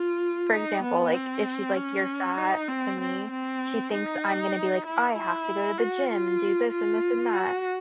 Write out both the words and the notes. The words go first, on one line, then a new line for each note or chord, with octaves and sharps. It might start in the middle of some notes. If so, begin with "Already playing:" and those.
for example, like, if she's like, "You're fat," to me, she thinks I'm gonna be like, "I have to go to the gym, and do this, and this, and that,"
Already playing: F4
D#4
B3
C4
C#4
D#4
C4
C4
C4
D#4
E4
E4
F#4
F4
F4
F#4